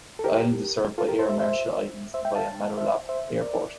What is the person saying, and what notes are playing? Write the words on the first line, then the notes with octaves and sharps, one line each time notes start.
The island is served by Air Marshall Islands via Maloelap Airport.
A4
G4 A#4
F4 A4
G4 A#4
A4 C5
C5 E5
C5 E5
C5 E5
E5 G5
F5 A5
C5 E5
C5 E5
A#4 D5